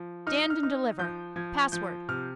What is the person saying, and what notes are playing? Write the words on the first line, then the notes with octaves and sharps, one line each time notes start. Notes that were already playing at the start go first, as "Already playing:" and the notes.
Stand and deliver. Password.
Already playing: F3
D#4 F6
D#6
F6
D#4 F6
F3 G6
F3 G#6
F3 G6
C3 F6